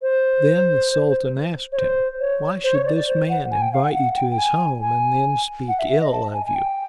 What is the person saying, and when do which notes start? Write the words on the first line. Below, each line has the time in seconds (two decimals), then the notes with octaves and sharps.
Then the sultan asked him, "Why should this man invite you to his home and then speak ill of you?"
0.02 C5
1.72 C#5
1.77 C5
2.20 C#5
2.64 C5
2.75 C#5
2.86 D5
2.96 D5
3.08 C5
3.29 F#5
3.51 G#5
3.62 G5
3.73 F5
3.83 F#5
3.94 F#5
4.16 G5
4.31 G5
4.38 G#5
4.81 G#5
5.68 F#5
5.79 E5
5.90 E5
6.01 D#5
6.12 A5
6.34 G#5
6.46 G#5
6.55 G5